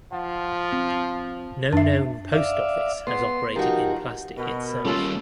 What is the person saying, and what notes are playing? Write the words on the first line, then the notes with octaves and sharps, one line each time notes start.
No known post office has operated in Plastic itself.
F3 F#5
C4
F#2 D4 E5
D5 E5 F5
B3 C6
F3 D#4 F#4 G4 A#4
B2 A#4
G3 A#3 C#4 F4 A4